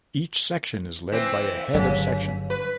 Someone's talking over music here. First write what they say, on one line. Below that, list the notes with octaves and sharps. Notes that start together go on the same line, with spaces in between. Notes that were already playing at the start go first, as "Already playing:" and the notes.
Each section is led by a Head of Section.
E3 C4
G1 C#3 F#3
B4